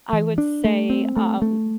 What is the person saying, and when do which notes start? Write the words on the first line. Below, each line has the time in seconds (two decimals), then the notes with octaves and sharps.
I would say, um,
0.13 E3
0.38 D4
0.64 A3
0.90 C4
1.17 A3
1.42 A3